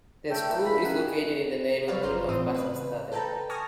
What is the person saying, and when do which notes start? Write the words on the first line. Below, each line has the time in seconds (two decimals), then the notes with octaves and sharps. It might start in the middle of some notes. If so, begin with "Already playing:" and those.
The school is located in the neighbourhood of Vasastaden.
0.30 A3 A4 G5
0.50 A#2 E3 B4
0.66 B5
0.84 D#3 C#4 F#5 G#5
1.88 F#3 G3 B4 C#5 D5 F5
2.02 G1 F4 C5 A#5 F6
2.29 A2 E3 C4 C5 D#6 E6
2.54 C#3 B4
3.12 A4 B4 G5 A5 A#5
3.49 G#5 A5 C#6 D#6 F6 A#6